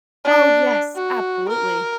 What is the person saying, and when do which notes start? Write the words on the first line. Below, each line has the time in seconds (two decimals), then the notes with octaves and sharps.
Oh, yes, absolutely.
0.25 D4
0.96 F#4
1.49 A#4